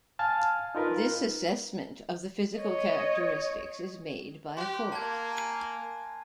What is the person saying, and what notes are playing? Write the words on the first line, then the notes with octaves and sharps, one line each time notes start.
This assessment of the physical characteristics is made by a court.
F5 G#5 A5 F6
D#4 F4 A#4 B4
C#5 D#5
G4 C6 F#6
A#3 A5 G#6
G#5 D#7